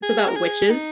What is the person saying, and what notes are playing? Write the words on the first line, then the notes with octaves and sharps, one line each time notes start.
it's about witches,
G#4
A#4
G#4
D#4